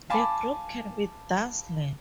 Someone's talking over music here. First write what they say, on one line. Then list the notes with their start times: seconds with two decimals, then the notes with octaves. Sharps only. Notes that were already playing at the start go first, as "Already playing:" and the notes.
The group can be dazzling.
0.10 F5 G#5 A5 B5 D6